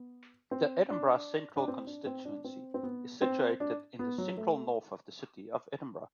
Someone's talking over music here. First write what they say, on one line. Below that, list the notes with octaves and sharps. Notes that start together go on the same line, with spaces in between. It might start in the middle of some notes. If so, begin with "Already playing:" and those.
The Edinburgh Central constituency is situated in the central-north of the City of Edinburgh.
Already playing: B3
C4
D4
D4
C4
D4
C4
D4
C4
C4
B3
C4
D4
B3
F#3
A3